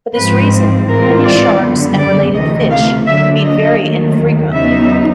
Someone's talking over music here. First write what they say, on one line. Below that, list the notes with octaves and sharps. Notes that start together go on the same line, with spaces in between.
For this reason, many sharks and related fish feed very infrequently.
G#2 F3 G#3 C4 B4
A2 E3 G#3 C4 F4 A#4
D5
F#2 D3 G3 B3
D5
D2 C3 E3 A3 D#5
F5
D3 F#3 A#3 D4 E5
D#5
D#2 D#3 F#3 A3
E2 C#3 F#3 B3 D#4 E5